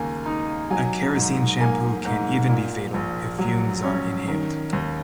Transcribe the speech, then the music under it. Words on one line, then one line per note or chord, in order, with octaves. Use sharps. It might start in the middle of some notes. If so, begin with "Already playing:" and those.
A kerosene shampoo can even be fatal if fumes are inhaled.
Already playing: D#2 C#3 A#3 G#5
D#4
F#3 G#5
G#2
A#3 G#5
G#2
A#2
A#1
F#3
C#4
D#3
D#2